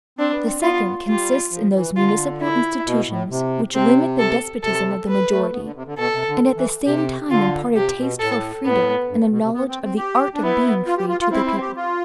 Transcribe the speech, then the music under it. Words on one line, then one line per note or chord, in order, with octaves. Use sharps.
The second consists in those municipal institutions which limit the despotism of the majority, and at the same time impart a taste for freedom and a knowledge of the art of being free to the people.
C4 D4
B3
C4
B3 F4
G3 F4
F3
E3
D3 F4
E4
B2
A2
C3
C3 C4
A4
C3 A4
B4
A3
B3
D3
C3
D3
B2 A4
C3
D3
E3
C3 G4
D3 F4
C3 G4
B2
A2 A4
A2 B3
G2
A2
B2
C3
B3
C4
C4
G4
D4
B3 E4
F4
G4
F4
F4
C4 E4
E4
G4
F4